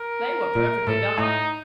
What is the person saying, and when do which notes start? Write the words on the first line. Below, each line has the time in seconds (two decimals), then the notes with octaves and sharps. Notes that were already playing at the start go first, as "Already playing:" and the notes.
They were perfectly dark.
Already playing: A#4
0.55 A#2
0.87 A2 A4
1.18 A2 D#4